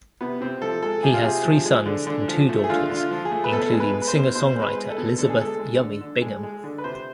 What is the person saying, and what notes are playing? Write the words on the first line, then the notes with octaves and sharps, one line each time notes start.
He has three sons and two daughters, including singer-songwriter Elizabeth "Yummy" Bingham.
C3 B3
C3 C4
F3 A4
G#3 A4
C3 G#4
F4
C3 G#4
F3
G#3
D3
D3
F3
A3
G#4
D3 F4
D3
F4
F3
G#4
A3
B4
B2 A4
G#3
B4
G#3
B4
C5
B2
B2 C5
G#3
B4
G#3
A4
B2
D3 A4
G#4
G#3 A4
G#3
D3
D3
G#3
G#3
D3
B4
C3 C5